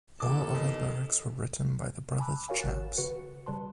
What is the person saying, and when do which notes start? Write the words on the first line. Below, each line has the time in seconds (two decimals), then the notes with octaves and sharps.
All other lyrics were written by The Brothers Chaps.
0.20 D#2 E3 A4 D6
0.54 E2 D#5
2.19 G#5 A5 B5 D6 E6 F#6
2.48 F#4 A#4 C#5 F5 G#5
2.61 G#1 F#5 F#6 A6 E7
2.97 C#3 F#4 B4 F#5 C#7
3.46 C#3 G3 B4 A5 C6